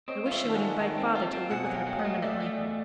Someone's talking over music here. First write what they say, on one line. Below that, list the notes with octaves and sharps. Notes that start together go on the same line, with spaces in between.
I wish she would invite father to live with her permanently.
C4 C#5 D#5
F4
D5 E5
D#3
A5
F#5 G#5
G#3
D#3 G5 A5
C4
F4
C4
B2 F#5 G#5
F#3 G#5
F5 G5
F#3
D#5 F5
A3
A3 D5 E5
A3
E2